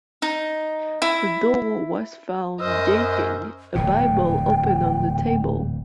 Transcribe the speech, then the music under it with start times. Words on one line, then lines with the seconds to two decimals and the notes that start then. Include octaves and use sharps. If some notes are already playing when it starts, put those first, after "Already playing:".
The door was found gaping, a bible open on the table.
0.22 D#4
1.02 E4
2.60 F#2 C5 D#5 E6 F6
3.75 D1 E2 A#2 G5